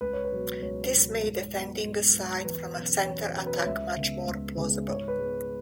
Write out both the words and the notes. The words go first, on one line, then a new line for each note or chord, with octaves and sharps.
This made defending a side from a center attack much more plausible.
C#2 B4
C#5
B4
B2 F#3 B3
C#2 C#5
B2 F#3 B3
G#2
F#3 B3
G#2
F#3 B3
E2 B4
B2 F#3 C#4
E2 C#5
B2 F#3 C#4
B4
C#5
C#2 E5
C#3 G#3 B3
C#2
C#3 G#3 B3
G#2 C#5
B4
G#3 B3